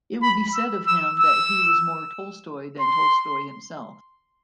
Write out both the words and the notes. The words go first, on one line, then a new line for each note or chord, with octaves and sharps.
It would be said of him that he was more Tolstoy than Tolstoy himself.
B5
E6
E6
E6
C6